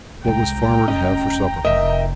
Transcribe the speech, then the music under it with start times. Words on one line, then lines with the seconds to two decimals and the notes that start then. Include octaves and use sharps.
What was farmer to have for supper?'
0.25 C2 G#3 G5 A#5
0.88 F1 C#4 D#5
1.65 F1 E3 A#4 D#5 E5